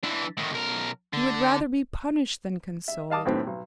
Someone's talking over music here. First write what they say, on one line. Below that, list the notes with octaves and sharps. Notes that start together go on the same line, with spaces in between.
He would rather be punished than consoled.
E3 D4
A2 D#3
B1 A#4
D3
E5
D#5 F5 A5 D6 D#6
F#2 A2 D#3 A3 B3 C4
B1